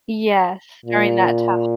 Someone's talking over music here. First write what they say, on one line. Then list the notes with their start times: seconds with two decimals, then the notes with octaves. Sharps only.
Yes, during that tough
0.86 A#2